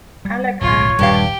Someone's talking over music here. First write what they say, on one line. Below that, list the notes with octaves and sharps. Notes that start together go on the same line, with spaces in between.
Ale kara kara.
G3
D1 B1 F4 C#5
D#1 G2 G4 F5